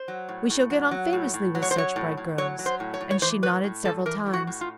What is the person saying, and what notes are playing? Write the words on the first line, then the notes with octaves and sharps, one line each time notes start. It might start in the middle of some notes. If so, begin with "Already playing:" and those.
"We shall get on famously with such bright girls," and she nodded several times.
Already playing: C5
F#3
A2
A2
F#3
F#3
A2
A2
F#3
C#5
C5
F#3 C#5
A2
A2
F#3 C#5
F#3
C5
A2
C#5
A2
C#5
E3 C5
A2 B4
A2
G3 A4
E3 A#4
A2
F#4
A2
F4